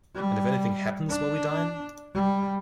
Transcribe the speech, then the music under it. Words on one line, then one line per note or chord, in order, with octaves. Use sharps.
And if anything happens while we dine?
G3
D4
G3